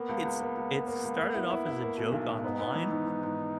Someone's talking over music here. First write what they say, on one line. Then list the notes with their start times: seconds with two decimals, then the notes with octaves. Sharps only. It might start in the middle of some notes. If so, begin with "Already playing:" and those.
It s it started off as a joke online,
Already playing: A#3 B3
0.09 C#2
0.25 C#2
0.41 A#3
0.57 C#2
0.72 A#3
0.87 A#3
1.03 C#2
1.18 A#3
1.35 E4
1.50 E4
1.66 E4
1.82 A#3
1.98 B2
2.12 B1
2.29 B2
2.44 B3 D#4
2.60 B3
2.75 E3
2.91 G#2
3.06 G#2
3.23 G#2